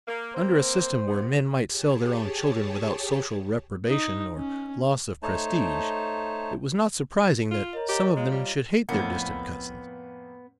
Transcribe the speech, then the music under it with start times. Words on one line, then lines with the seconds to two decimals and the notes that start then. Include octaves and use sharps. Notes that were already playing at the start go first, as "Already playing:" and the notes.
Under a system where men might sell their own children without social reprobation or loss of prestige, it was not surprising that some of them should hate their distant cousins.
0.07 A#3
0.35 A#3 C4 C5
1.08 C3 B3
1.67 G4 G#4 C#5 A5
3.87 D#4
4.36 C#4
5.23 A3 D#4 C5 C#5 A5
7.51 F4
7.73 A#4 C#5 D#5
7.89 G4 C#5 D#5 A#5
8.16 G#3 F4
8.31 G3
8.89 F2 A2 A#3 B3